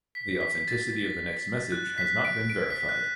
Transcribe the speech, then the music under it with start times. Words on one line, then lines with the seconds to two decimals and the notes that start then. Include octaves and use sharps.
The authenticity of the text message has not been verified.
0.15 B6
0.41 B6
0.68 A6
1.72 F#6
1.98 B6
2.25 D7
2.50 D7
2.70 B6
2.89 F#6